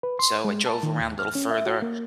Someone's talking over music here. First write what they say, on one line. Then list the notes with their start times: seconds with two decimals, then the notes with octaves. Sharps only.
So, I drove around a little further,
0.03 B4
0.19 C6
0.45 G#3
0.66 A5
0.83 D#3
1.00 D#2
1.19 F6
1.35 C#4
1.51 E5
1.66 F#4
1.82 A#3